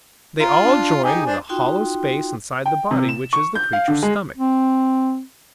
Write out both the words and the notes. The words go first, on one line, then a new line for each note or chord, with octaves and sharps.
They all join with a hollow space inside the body, which is the creature's stomach.
F4 A#5
D4
D#4 G4 G#4 G#5
D4 C5
D#4 F4 F#4 G5 C6
G5
C3
E7
C#6
G6
F5
D3
G#3
C4